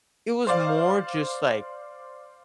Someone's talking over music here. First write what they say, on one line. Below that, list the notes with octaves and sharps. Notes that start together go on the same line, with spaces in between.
it was more just, like,
C5 D5 F5